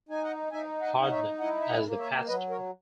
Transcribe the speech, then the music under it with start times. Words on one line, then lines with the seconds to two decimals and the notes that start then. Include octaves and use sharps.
Hodnett as the pastor.
0.09 D#4 G#5
0.23 D#5 F#5
0.52 D#4 E5 G#5
0.81 D#5 F#5
0.97 D#4
1.02 F#5
1.11 C#5 E5
1.40 E4 D#5 F#5
1.61 E5
1.69 D#5 F#5
1.84 A#3
1.99 C#5 E5
2.28 F#3 B4 D#5
2.50 A#4 C#5